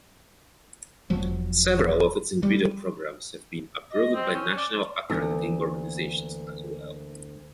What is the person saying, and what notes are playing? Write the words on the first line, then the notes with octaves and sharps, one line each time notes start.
Several of its individual programs have been approved by national accrediting organizations as well.
E1 F3 F#3
G3
D#5
C4
C#4
D5
D2 E3 A#3 B3